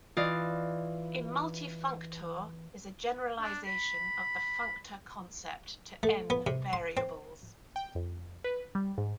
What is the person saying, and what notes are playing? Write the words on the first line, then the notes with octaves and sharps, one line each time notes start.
A multifunctor is a generalization of the functor concept to "n" variables.
E3 F4 D5 D#5 F5
D4
B5
A3
B3
C3
C6
C4
G5
F2
B4
G3
G#2